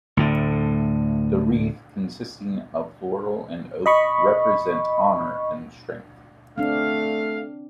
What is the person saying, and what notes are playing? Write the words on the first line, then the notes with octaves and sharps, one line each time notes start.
The wreath, consisting of laurel and oak represent honor and strength.
D2 A2 D3
D#5 B5 C#6
A3 C4 D4 F5